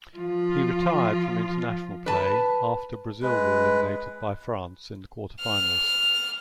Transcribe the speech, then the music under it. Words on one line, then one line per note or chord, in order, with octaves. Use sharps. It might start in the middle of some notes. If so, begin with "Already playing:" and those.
He retired from international play after Brazil were eliminated by France in the quarterfinals.
F3 F4
B4 A5
G#3 B4
F6